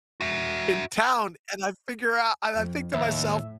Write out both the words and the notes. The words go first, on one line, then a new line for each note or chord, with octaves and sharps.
in town," and I figure out and I think to myself,
F#4 E5
F2
D#2 A2 E5